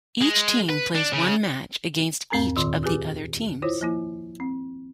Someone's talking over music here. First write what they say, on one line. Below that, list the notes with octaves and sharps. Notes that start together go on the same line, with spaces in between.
Each team plays one match against each of the other teams.
G#3
B4
D4
C#3
E2 G#2 C4 A#4 G#5 A#5
D2 A#2 D#3 F4 C6 D6
F4 G4 G#4 B4 G#5 D6
E4 F4 C5 C#5
F3 A#3 E4
C4